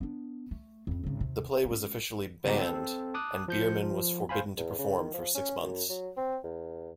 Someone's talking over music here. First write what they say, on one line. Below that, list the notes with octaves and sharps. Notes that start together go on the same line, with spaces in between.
The play was officially banned and Biermann was forbidden to perform for six months.
B3 D4
A3
F2 C4
G#1 C#3
D#2 C3
G#3 C#4
C#3 G3 B3 D#4 F#4 G4
C4 A4
A5 D6 D#6 F#6
F3 G6 C#7
F3
C5 F5 G#5 B5
E2
C#3
D#3
F3
C#4
F#2
F#3
C4
E2